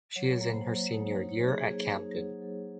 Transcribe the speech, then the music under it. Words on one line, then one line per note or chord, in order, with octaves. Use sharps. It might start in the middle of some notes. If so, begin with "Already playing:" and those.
She is in her senior year at Camden.
F#3 C#5
A#3
C5
F#3
D#4 C#5
D#4
C#5
F#3
G#4
A#3 G#4
D#4
F#3
F#3